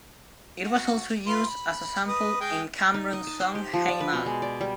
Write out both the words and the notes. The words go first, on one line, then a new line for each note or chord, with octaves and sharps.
It was also used as a sample in Cam'ron's song "Hey Ma".
F#4
F4 B4 C6
B5
B4 D#5
G#3 G5
D#4
D#5
A5
C5
G4
F3
D5
B4
B2
G#3
D5
G3